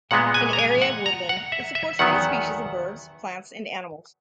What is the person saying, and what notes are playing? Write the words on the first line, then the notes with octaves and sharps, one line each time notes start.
An area of woodland, it supports many species of birds, plants, and animals.
A#2 G#3 B3 F#5
G#5
A#5
G#5
F#5
A#5
F#5
E5
E5
E2 D#3 F#3 B3 F#5